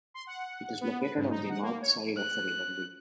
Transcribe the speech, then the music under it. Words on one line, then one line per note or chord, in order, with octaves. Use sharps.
It is located on the north side of the River Lee.
C6
F#5
B3
B4
G#2
D#4
F#5
A#3
C#5
F#6